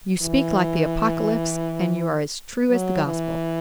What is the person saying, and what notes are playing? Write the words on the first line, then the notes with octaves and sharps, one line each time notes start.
You speak like the Apocalypse, and you are as true as the Gospel.
E3
F#3
E3